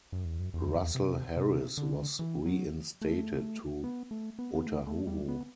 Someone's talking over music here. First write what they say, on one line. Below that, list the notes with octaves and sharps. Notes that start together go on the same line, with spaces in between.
Russell Harris was reinstated to Otahuhu.
F#2
E2
F#2
E2
F#2
E2
F#2
E2
C3
C3
D3
E3
F#3
A3
B3
A3
B3
B3
A3
A3
G3
B3